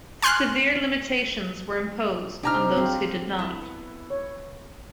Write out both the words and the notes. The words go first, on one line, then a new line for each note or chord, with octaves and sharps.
Severe limitations were imposed on those who did not.
G#5 C6 F6 F#6
C3 C4 D4 D#4 G4 A#5 F6
D3 C4 G#4 F5
E4
B3
C#5